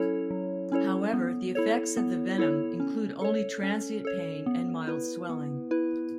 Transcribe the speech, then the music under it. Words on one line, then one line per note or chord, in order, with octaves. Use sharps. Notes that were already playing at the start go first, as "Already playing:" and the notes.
However, the effects of the venom include only transient pain and mild swelling.
Already playing: F#3 C#4 E4 A4 C#5
F#3
C#4 E4 A4 C#5
B3
E4 A4 C#5
B3
E4 A4 C#5
C#4
A4 C#5
C#4
A4 C#5
B3
E4 B4
B3
E4 B4